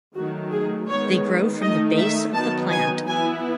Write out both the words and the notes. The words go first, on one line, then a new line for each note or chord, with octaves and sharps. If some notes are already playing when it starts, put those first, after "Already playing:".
They grow from the base of the plant.
D#3 F#3 A3 F#4
G#4
D#3 G#3 B3 C#5
D#3 A3 D#4 D#5
E5
D#3 F#3 B3 D#4 A5
G#5
E3 B3 E4 G#5